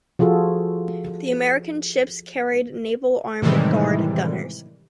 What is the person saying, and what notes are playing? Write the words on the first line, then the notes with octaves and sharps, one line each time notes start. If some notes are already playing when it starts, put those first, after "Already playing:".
The American ships carried Naval Armed Guard gunners.
F3 F4 F#4 G#4 A4
A2 C3 D#3 E3 G3 G#3